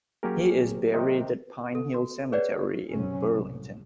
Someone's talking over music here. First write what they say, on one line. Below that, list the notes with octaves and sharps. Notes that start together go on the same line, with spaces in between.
He is buried at Pine Hill Cemetery in Burlington.
F#3 A#3 C#4 G4 G#4 A#4
C3 D#3 D#4
A4
F#4
G#4 B4 C#5 D5 F#5 G5
B1 F#2 C3 F#3 C#4
C2 A2